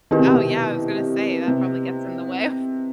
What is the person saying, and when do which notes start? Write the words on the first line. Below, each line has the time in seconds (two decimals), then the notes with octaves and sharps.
Oh, yeah, I was gonna say that probably gets in the way of
0.11 D#3 C4 E4 G4 B4
0.19 C3
0.27 B2
0.35 C3
1.48 C3